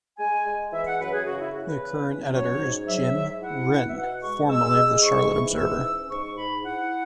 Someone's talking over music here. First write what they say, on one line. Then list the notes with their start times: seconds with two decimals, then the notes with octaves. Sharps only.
The current editor is Jim Wrinn, formerly of the Charlotte Observer.
0.18 G#3 G#5
0.46 G#3
0.72 E3 E5
0.86 F#5
0.99 F#2 B4
1.13 G#4
1.26 C#3 F#4
1.40 E4
1.53 C#3 F#4
1.67 B4
1.80 E2
2.07 C#4
2.34 F#3 C#5
2.61 G#2
2.87 F#3 E5
3.15 G#2
3.41 E4 F#5
3.68 B2
3.88 E5
3.95 B2 F#5
4.22 G#3 C#6
4.49 G#3 E6
4.75 G#3
5.03 G#2 C#6
5.30 E3
5.56 G#2 E6
5.83 C#4
6.10 G#2 C#6
6.37 G#2 B5
6.64 E4 F#5